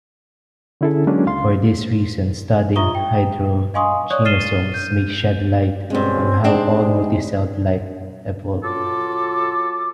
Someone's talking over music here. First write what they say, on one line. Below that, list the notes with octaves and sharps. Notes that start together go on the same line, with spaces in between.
For this reason, studying hydrogenosomes may shed light on how all multi-celled life evolved.
D3 C#4 E4 G#4 A4
F#3 G#3 A#3 C#4 D4
C#2 F5 C6
F4 E5 A#5 C#6 D#6 G7
G5
D#5 F5 G#5 C6 C#6 D#6
C#5 D5 C#6 D#6 F#6
F6 A6 C7 D#7 E7 G7
G6 D#7
G2 B2 G#3 C4 C#4
G#2 C3 G#3 C4 D4 G#4
F#3 F4 A4 D6